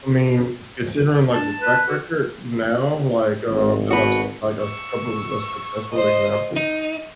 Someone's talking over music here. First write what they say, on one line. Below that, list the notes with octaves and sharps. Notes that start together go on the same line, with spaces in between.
I mean, considering, like, the track record now, like, um, that I've seen, like, a couple of successful examples,
D4 A5
B4
F#4
G#1
F#4 B4
C#6 E6
C5 D#5
D#4